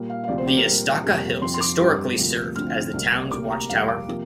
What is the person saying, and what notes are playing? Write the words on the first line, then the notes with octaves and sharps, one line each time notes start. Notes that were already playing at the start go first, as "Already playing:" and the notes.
The Estaca Hills historically served as the town's watch tower.
Already playing: A#2 G3 A#3
F5
F5
D2 C3 F3 C4 D5
C5
G4
A#4
A#2 G3 C4
F2 C3 G3 A#3
F2 F3 C4 C6
C6
D6
G2 G3 C4
D2 C3 F3 A#3
D2 D3 F3 C4 F6
C2 C3 G3 A#3
D2 C3 A#3 D6
A#5
F2 C3 G3 A#3 F5
D6
C3 F3 A#3